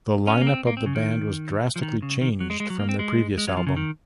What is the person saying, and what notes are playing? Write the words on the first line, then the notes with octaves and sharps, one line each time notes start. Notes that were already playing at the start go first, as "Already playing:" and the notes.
The line-up of the band was drastically changed from their previous album.
C#4
A#3
C4
A#3
C4
C#3
D#3
F3
D#3
C#3
D#3
F#3
G#3
G#3
F#3
A#3
C4
G#3
G#3
F#3
F3
C#3
D#3